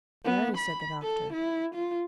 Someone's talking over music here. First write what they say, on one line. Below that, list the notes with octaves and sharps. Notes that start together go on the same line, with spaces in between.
"Very," said the doctor.
B3
B5
A4
E4
F4